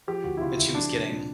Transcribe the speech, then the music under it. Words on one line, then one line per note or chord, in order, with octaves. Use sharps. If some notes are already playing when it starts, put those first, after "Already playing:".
and she was getting,
F3 G4
D2 F#4
E4
C#3 F4
D2 E4
F3 D4
C2
A#2